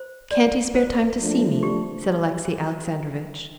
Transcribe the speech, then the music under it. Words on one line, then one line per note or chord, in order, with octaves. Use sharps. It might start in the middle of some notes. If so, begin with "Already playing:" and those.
"Can't he spare time to see me?" said Alexey Alexandrovitch.
Already playing: C5
D5
C5
F3 A3 D4
G4